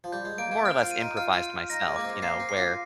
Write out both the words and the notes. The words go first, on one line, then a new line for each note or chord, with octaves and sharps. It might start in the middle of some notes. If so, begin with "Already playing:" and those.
more or less improvised myself, you know, where
F3
G3 G6
G#3
A#3 D7
A#3
C4 F6
F4
D#7
D#4
F4 F6
F4
F6
D#4 A#6
G#3
A#3 D6
C4
A#3 C7
C4
C7
F4